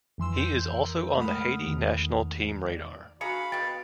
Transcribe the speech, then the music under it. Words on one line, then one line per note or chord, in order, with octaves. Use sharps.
He is also on the Haiti national team radar.
F2 E3 C6 E6
G6
A#4
G#3 A3 F#5 B5 D#6 F6
E2 D#3
D5
D3 F#4 G#4 F5 A#5 B5 C#7
B2 G5 A6